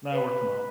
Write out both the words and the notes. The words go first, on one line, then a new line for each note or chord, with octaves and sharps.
No, I work from home.
B4